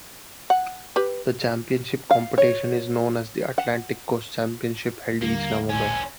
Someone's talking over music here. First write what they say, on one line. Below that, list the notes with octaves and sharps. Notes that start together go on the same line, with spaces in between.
The championship competition is known as the Atlantic Coast Championship held each November.
F#5
G4 B4
F5
C#5
F#5
D#2 D3 G3 A#3 F5
A1 D2 A#2 E3 C#4 G#5